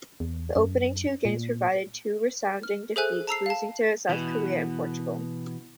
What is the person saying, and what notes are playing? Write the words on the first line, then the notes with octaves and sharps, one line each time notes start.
The opening two games provided two resounding defeats losing to South Korea and Portugal.
E2
F#2
A#2
F6
G#4 A4 C5 E5 G#5 F#6
A5 A#5 E6 C7
F5 A5
B2 E3